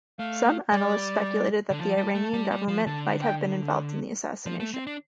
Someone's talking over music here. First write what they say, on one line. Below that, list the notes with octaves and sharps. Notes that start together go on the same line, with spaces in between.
Some analysts speculated that the Iranian government might have been involved in the assassination.
A3 F5
G3 D5
D3
F3 A5
G3
A3
G3
G3
F3
D3 A5
G5
F3
A3
C4
D4